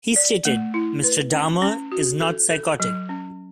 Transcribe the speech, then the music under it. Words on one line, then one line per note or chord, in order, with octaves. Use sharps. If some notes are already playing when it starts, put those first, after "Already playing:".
He stated, Mr. Dahmer is not psychotic.
D5
A3
E4
B4
C#4
C#4
F#4
A4
A4
F#3
C#4